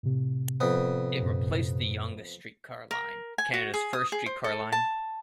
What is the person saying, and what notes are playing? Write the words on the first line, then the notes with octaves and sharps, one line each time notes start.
It replaced the Yonge streetcar line, Canada's first streetcar line.
A2 C3
F2 B3
F#2 A#2
A#4
G#5
F#4
G#4
D#6
G#4
C5
A4
A5